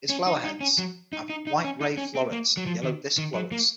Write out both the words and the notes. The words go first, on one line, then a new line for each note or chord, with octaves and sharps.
Its flower heads have white ray florets and yellow disc florets.
C#4
D#4
D#4
C#4
F#3
D#4
D#4
D#4
C#4
D#4
C#4
C4
A#3
F#3
F3
D#3
D#3
F#3
A#3